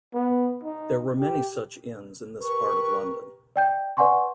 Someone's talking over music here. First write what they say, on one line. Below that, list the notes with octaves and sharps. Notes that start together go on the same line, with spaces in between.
There were many such inns in this part of London.
B3
D#4
G4
G4 A#4 B4 C#6
D5 G5 G6
B4 D5 F#5 G#5 C6 C#6